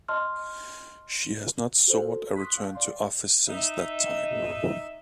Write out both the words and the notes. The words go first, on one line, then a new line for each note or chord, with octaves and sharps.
She has not sought a return to office since that time.
D#5 A5 C6 F6
F#4 A4 C5
C6 C#6 D#6 F#6 B6
F5 G5 A5
D5 F5 C6
D#4 E5